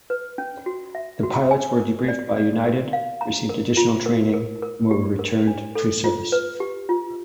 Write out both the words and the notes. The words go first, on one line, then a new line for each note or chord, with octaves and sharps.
The pilots were debriefed by United, received additional training and were returned to service.
B4
C#4
F#4
E5
F#4
G#5
A#4
D5
D5
A#4
F5
A#5
A#4
F4
A#4
A#4
A#4
G4
A#4
D4
A4
F4
B4
G4
F4